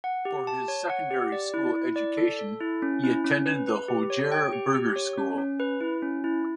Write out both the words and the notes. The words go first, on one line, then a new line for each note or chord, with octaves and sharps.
For his secondary school education he attended the Hogere Burgerschool.
F#5
G4
A5
C#5
F#5
G4
D5
E4
E4
D5
A4
A4
E4
C#4
E4
C#4
B4
B4
G4
C#5
G5
G4
G4
C#5
C#4
C#4
B4
E4
C#4
E4